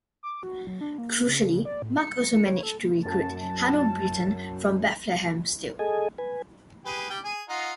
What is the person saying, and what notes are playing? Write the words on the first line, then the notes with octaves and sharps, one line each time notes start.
Crucially, Mark also managed to recruit Harold Brittan from Bethlehem Steel.
D6
F#4
F#3
D4
A#3
C#3
D5
A2
C#7
C#5
A4
F#2 A5
G#4 A4 D#5 G#5
B4 G#5
G4 G#4 B4
G3 G5
G#4 G#5
D#4 F4 F#5